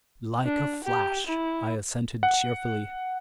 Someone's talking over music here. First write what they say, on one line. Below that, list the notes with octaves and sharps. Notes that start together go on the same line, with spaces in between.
"Like a flash," I assented cheerfully.
D4
G4
E4
F#5